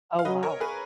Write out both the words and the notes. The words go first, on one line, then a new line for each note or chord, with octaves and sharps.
Oh, wow.
F5
F#3 B4 D#5
A#4 C#5
G#4 B4